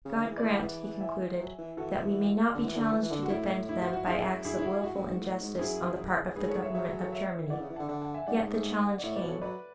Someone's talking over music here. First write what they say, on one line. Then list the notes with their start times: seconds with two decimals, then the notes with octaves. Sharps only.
"God grant," he concluded, "that we may not be challenged to defend them by acts of willful injustice on the part of the government of Germany." Yet the challenge came.
0.05 C#3
0.15 D3
0.25 E3 E4 G#4
0.38 B4 D5
0.43 E3
0.49 F#5 A5
0.63 E3
1.00 E5 G#5
1.39 F#3
1.58 E3
1.77 E3 F#4 A4
2.54 D3
2.65 E3
2.76 D3
2.92 E3
3.03 E3
3.11 D3
3.23 F#4
3.30 A2 E4
3.43 E4
3.69 E4
3.82 F#4
3.93 F#4
4.06 F#2 E4 G#4
4.45 E4 G#4
4.58 E4
4.65 F#4
4.83 F#4
4.96 F#2
5.08 G#2
5.21 A2
5.41 G#2
5.59 F#2 E4 G#4
6.35 G#2 G#4 B4
6.48 A4 C#5
6.62 C#5 E5
6.74 F#3 C#5 E5
7.00 A4 C#5
7.12 C#5 E5
7.50 E3 D5 F#5
7.60 C#3
7.70 E3
7.76 D3 F#5 A5
7.89 D3 F#5 A5
8.01 F#5 A5
8.14 E5 G#5
8.27 G#2 D5 F#5
8.35 F#2
8.41 G#2
8.98 D5
9.03 A2 C#5 E5
9.16 B4 D5
9.23 B2
9.29 A4 C#5
9.41 F#3 B4 D5